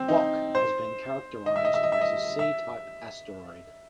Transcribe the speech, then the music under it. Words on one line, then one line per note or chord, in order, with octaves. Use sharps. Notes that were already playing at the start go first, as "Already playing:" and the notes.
"Bok" has been characterized as a C-type asteroid.
Already playing: C4
D#4
C5
D#5
E5
D#5
E5
D#5
E5
D#5
E5